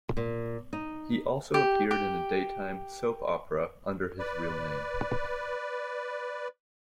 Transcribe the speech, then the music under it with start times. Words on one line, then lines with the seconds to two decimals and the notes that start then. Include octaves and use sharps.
He also appeared in a daytime soap opera under his real name.
0.17 A#2
0.73 D#4
1.54 G4
1.91 G4
4.19 B4 D5